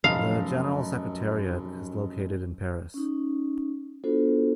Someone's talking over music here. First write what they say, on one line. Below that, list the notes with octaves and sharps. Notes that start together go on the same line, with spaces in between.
The General Secretariat is located in Paris.
F1 F#2 F5
C#4 D#4
B3 D4 F4 F#4 A4 C5